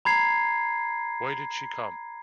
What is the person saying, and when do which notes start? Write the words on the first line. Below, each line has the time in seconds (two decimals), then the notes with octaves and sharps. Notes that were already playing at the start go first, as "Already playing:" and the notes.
Why did she come?
0.05 A#5 B5 G#6 C7